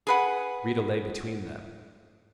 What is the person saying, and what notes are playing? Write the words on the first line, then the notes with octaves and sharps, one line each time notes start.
Rita lay between them.
G#4 B4 F#5